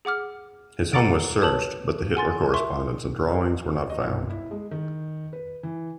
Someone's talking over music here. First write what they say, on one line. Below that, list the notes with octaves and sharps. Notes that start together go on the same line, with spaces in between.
His home was searched, but the Hitler correspondence and drawings were not found.
G#4 F#5 D6 F6
A4 F#5 A#5 D6 A6 D7
B4 C#5 A5 F#7
F#5 G#5 C6 A6
E5 C6 C#6
D#5
G1
E4
G#3
D#3
B4
E3